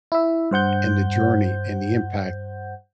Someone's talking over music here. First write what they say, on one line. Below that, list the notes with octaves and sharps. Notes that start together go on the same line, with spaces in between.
in the journey and the impact
E4 E5
G2 C5 F#5 G6